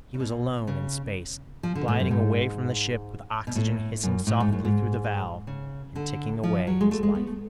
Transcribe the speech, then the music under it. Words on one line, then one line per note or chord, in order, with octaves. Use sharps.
He was alone in space, gliding away from the ship, with oxygen hissing softly through the valve and ticking away his life.
C#3
B2
C#3
F3
D3
A2
F#2
G#2
B2
A2
F#2
A2
G#2
F#2
G#2
C#3
D3
F3
F#3
G#3
A3
G#3
B3
A3